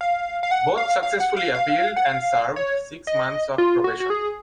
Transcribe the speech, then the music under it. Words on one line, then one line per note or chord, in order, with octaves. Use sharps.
Both successfully appealed and served six months of probation.
F5
F5
F#5
F5
F5
F#5
F5
F5
F#5
F5
C#5
D#5
F4
F#4
F#4
G#4